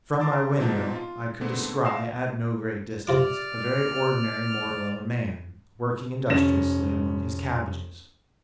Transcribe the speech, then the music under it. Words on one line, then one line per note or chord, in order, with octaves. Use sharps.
From my window I could descry, at no great distance, a very ordinary mortal of a man, working industriously among his cabbages.
A5 A#5 C6 D6 E6 A6
G#2 B2 F3 C4 D#4 A5
F4
G#2 D3 A3 B3 C4
E5 F5 D6 A#6 C7 E7
C3 F4 D5 D6 F6
F1 C#4 A#6 E7